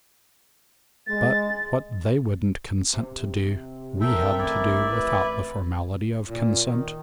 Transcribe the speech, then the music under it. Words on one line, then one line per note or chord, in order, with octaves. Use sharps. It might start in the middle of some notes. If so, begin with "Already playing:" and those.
But what they wouldn't consent to do, we had to do without the formality of consent.
G#3 A6
C3
B1 C4 A4 A#4 E5 G5
A1 E4 D5 E5
B4
A#2
D#3